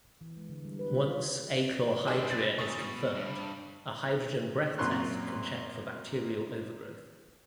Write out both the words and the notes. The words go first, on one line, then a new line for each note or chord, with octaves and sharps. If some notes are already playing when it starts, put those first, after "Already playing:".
Once achlorhydria is confirmed, a hydrogen breath test can check for bacterial overgrowth.
E3
G#3
D3
G3
B4
F4
C#3
D4 E4 G4 G#4 C5
A6
C3 E3 C#6 D#6 A6
B2
G2
F#2 A#2 C4 C6 C#6 F#6